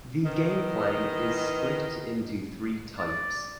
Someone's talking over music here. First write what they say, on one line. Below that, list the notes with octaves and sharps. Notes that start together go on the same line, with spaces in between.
The gameplay is split into three types.
D#3 E3 B3 D#5
D5